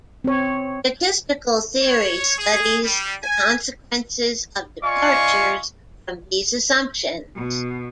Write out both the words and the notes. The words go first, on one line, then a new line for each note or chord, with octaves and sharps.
Statistical theory studies the consequences of departures from these assumptions.
C4 C#5
C#5
G#4
G3
G#5
F4 D5 D#5 F5 G#5 C#6
B2